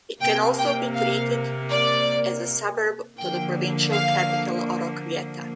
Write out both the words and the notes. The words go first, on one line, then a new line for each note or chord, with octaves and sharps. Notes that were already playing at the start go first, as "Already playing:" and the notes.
It can also be treated as a suburb to the provincial capital Oroquieta.
C3 A#3 G5
G5
F5
D5
D3 F3 A#3 G5
F5